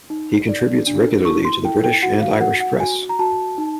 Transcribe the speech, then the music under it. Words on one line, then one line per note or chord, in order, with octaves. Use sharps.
He contributes regularly to the British and Irish press.
D#4
D5
D4
E4 C#6
C6
E4 G5
G5
F#4 F#5
F5
F#4 F#5
F#5
F#4 G#5
A#5
F#4 A5
D#4